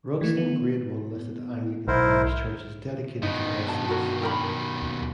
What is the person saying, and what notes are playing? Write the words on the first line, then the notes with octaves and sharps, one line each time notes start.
Rudston Grade One listed Anglican parish church is dedicated to All Saints.
E3 A3
B3
B1 E4 A#4 C5
G2 B2 D#3 D#4
A5
F#4 A#4
G4 A#4 B5
D#2